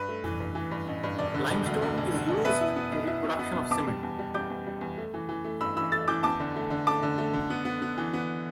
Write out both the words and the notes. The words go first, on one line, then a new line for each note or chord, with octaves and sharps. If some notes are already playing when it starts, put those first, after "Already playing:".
Limestone is used in the production of cement.
Already playing: G2 B4
A3
E3
G2
E3
G2
A1
G2
E1 D5
D3
E1
D2
D2
E1
D3
E1
B3 B4 E5
E4
B3
B1
E4
B2
B3
B2
E2 A5 D6
G3
E2
G3
G3 D6 G6
E2
G3
E2
A3
E3
E3
A3
G2 B5 E6
E3 B5 E6
A3 E6 A6
E3 D6 G6
E2 A5 D6
D3
A3
D3
A3 A5 D6
D3
A3
D3
B3
B3
B3
E3
B3